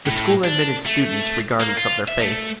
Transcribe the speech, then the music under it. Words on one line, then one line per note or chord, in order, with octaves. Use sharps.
The school admitted students regardless of their faith.
A2
D4
A3
A#3
F4
E5
A3